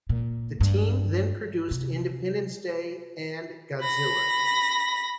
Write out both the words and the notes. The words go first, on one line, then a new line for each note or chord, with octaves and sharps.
The team then produced "Independence Day" and "Godzilla".
A#2
G2
C3
B5 A#6